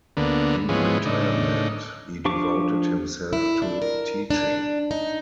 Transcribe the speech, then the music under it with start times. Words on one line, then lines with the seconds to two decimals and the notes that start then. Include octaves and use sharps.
In retirement, he devoted himself to teaching.
0.17 D2 D3 A#3 B3
0.69 G#2 E3 F3 G#3 B3 C#4
1.05 A2 C#3 D4 D#4
2.25 F3 D4 G4 C#6 D6
3.33 E4
3.62 D4
3.82 A#4
4.30 D4
4.91 D#4